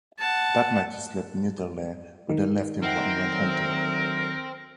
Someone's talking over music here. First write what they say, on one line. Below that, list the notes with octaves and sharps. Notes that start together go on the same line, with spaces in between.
That night he slept near their lair, but they left him and went hunting.
F#5 A5
D#3
C4 D#4 E4 A#4 F#5
D2 F#3